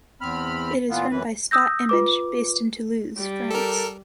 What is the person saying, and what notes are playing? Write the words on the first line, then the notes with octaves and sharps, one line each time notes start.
It is run by Spot Image, based in Toulouse, France.
E2 C4 B5 F6
A#2 E3 B3 F4
F#2 E3 B4
D#6 E6 G6 A#6
F4 B4 D6
G3
A4 A#4